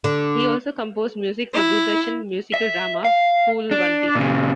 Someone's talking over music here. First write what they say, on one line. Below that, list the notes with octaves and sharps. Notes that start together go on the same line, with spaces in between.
He also composed music for Doordarshan musical drama "Phoolwanti".
D3
E4
E5
F5
D4
A#2 C#3